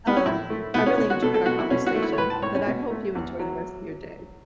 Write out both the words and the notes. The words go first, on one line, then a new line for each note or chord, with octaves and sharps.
um I really enjoyed our conversation, but I hope you enjoy the rest of your day.
B3
C#4
A2 E4
A3
B2 B3
C#4
B2 C#4
F#4
B2 A4
A4
B2 F#4
E4
B2 C#4
F#4
A3
E4
C#5
A2 B4
A5
A2 C#5
C#4
B2
A3
E2
F#3